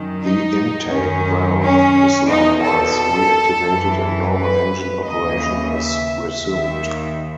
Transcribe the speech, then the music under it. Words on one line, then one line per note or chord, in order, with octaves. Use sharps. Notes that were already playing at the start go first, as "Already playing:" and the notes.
The intake valve is likewise reactivated and normal engine operation is resumed.
Already playing: F#2 D#3
D#4
F#2 D#3 C#4
C#4
E2 B2 D#4
A4
F#2 E3
B4
D#2 C#3 E3 D#5
E5
D#2 D#3 E5